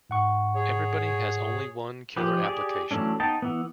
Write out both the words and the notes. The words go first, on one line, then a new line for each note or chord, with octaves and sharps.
Everybody has only one killer application.
G#2 F#5 C#6
G#4 C#5
F3 G4 G#4 B4
G4 G#4 D5
E3 F#3 A3 C#4 D4
B3 D#4 D#5 G5 A5
E3 B3